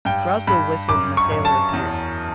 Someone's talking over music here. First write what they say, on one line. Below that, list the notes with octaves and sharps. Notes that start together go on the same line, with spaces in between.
Groslow whistled and a sailor appeared.
G2 G5
G2 B5
F#2 D6
C#6
F#2
A5
E2